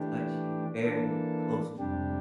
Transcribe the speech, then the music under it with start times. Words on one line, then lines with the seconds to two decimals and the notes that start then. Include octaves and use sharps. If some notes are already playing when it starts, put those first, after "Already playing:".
touchy, very close with me,
Already playing: E3 A3 D4 G4
0.83 E3 A#3 D4 A4
1.77 F2 C3 G3 D4 G4